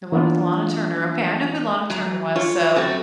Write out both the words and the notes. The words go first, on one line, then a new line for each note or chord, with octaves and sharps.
The one with Lana Turner. Okay, I know who Lana Turner was, so,
E3 A#3 B3 D4 F4
F#3
F4 C#5
F#2 A3 C4 F#4